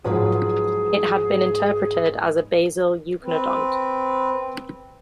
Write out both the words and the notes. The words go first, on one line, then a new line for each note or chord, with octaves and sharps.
It has been interpreted as a basal eucynodont.
G#2 F3 F#3 F4 G#4 B4 D#6
C4 B4